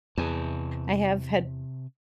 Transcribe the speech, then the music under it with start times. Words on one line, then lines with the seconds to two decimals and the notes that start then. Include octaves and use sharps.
I have had
0.18 E2 C3 G#5 A5